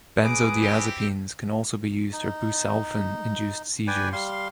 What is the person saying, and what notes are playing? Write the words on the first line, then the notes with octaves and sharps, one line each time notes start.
Benzodiazepines can also be used for busulfan-induced seizures.
D#4 G#4 B4 D6 D#6
C4 E4 G4
D#4
B4 D5 G5 G#5
G3 F5 C6